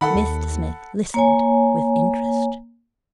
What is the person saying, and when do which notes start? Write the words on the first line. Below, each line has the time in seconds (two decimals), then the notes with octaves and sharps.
Mr Smith listened with interest.
0.01 D#3 A4 F#5 B5
0.15 D#2
1.14 A#3 C#5 G#5